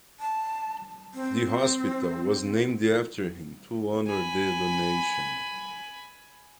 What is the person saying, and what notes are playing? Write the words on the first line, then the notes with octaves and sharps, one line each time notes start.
The hospital was named after him to honor the donation.
A5
C4
G#5 B5